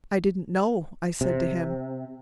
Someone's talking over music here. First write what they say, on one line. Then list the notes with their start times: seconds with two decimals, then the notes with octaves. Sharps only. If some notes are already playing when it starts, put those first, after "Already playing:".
"I didn't know," I said to him.
1.21 C3